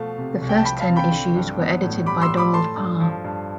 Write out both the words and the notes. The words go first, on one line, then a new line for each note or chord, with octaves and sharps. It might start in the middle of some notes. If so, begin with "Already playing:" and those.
The first ten issues were edited by Donald Parr.
Already playing: B2 F3 A3 F5 A5
C3
C2
G5
A5
F3 G5 B5
F5 A5
C4
G5 B5
D3
G2
B3
A2
G3 B5 D6
C6 E6
A2
B5 D6
A3 A5 C6
G2
F3
G2